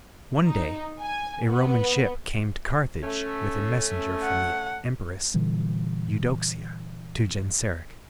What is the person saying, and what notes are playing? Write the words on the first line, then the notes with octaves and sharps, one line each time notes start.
One day a Roman ship came to Carthage with a messenger from the Empress Eudoxia to Genseric.
D#4
G#5
B3
A3 C#4
F#5
A#2 D3 E3 G3